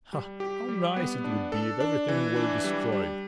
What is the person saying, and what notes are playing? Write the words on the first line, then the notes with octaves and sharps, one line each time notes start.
Ah, how nice it would be if everything were destroyed!
G3
G4
G3
B3
D4
A4
D4
E3
D4
G3
G3